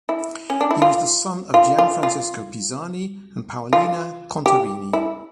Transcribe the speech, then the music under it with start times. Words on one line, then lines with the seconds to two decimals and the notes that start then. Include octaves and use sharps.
He was the son of Gianfrancesco Pisani and Paolina Contarini.
0.09 E4
0.50 C#4
0.61 D4
0.71 E4
0.82 F4
1.54 F4
1.78 F4
2.03 F4
3.73 F4
4.46 G4
4.93 E4